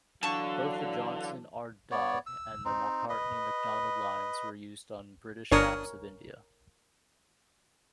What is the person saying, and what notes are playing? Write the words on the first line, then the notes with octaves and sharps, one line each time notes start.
Both the Johnson-Ardagh and the Macartney-MacDonald lines were used on British maps of India.
D3 E3 F#3 F5 A5 C#6
B3 C#5 D5
E6
C4 D#4
B4 D#5
G1 D4 A#4 C#5 D#6